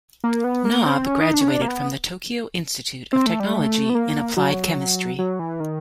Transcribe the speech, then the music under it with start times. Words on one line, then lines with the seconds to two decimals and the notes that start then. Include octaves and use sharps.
Nob graduated from the Tokyo Institute of Technology in applied chemistry.
0.24 A#3
0.44 B3
0.65 A#3
0.86 C4
1.06 C#4
1.20 D#4
1.34 D4
1.41 C#4
1.48 D4
1.62 A#3
1.68 B3
3.13 C4
3.26 A3
3.40 G3
3.54 A3
3.89 B3
3.95 A#3
4.37 F#3
5.19 F#3
5.39 E3
5.60 D#3